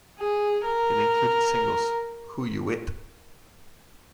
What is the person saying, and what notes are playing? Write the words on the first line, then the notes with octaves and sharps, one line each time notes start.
It included singles Who U Wit?
G#4
A#4